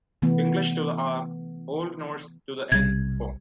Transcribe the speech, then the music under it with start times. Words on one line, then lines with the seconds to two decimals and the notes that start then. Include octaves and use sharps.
English to the "r", Old Norse to the "n" form.
0.22 C3 E3 A3 B3
2.72 B1 C3 G3 G#6